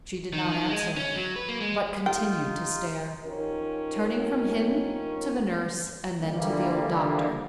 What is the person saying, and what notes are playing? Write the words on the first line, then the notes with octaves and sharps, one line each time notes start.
She did not answer, but continued to stare, turning from him to the nurse and then to the old doctor.
D#3
D#3
G#3
C#4
F#3
B4
A#3
G#3
D#4 F4 G4 G5
F3 C#4 D#4 G4 A#4
D3 E3 F3 G3 A#3